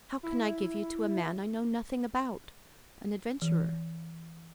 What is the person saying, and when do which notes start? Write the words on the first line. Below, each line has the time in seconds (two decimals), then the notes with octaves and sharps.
How can I give you to a man I know nothing about,--an adventurer?
0.23 E4
3.42 E3